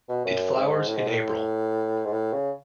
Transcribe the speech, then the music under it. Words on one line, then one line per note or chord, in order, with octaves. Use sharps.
It flowers in April.
B2
F#2
G#2
A2
G#2
A2
G#2
A2
C#3